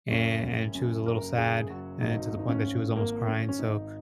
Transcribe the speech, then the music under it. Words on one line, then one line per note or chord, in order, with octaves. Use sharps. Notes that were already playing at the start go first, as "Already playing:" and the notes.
an and she was a little sad and to the point that she was almost crying. So,
F#1 C#4
F#1
F#2
F#1 A#4
F#1 G#4
F#3 F#4
G#1 D#4
G#1
D#4
C#4
G#1
G#1 A#3
G#1 C#4
C#4
G#1 D#4